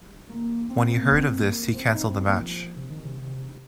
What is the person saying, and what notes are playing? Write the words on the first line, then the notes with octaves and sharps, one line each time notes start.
When he heard of this he cancelled the match.
A#3
C4
C4
A#3
C4
A#3
A#3
C4
D#4
C4
A#3
F3
C3
D#3
C3